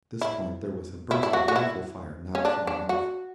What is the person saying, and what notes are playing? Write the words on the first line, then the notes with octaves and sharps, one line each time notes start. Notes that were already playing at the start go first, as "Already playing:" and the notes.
At this point there was a burst of rifle-fire not far off.
E4
E4
E4
F#4
F#4
E4
C#4
D4
D4
F#4